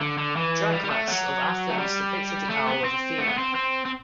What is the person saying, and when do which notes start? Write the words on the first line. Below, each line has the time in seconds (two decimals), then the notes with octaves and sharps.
Drachmas of Athens depicted the owl of Athena.
0.01 D3
0.18 D3
0.37 E3
0.72 G3
0.84 G3
0.90 A3
1.08 F#3
1.70 A3
1.78 G3
2.50 A3
2.66 B3
2.84 C4
3.18 A3
3.28 B3
3.38 C4
3.55 C4
3.86 C4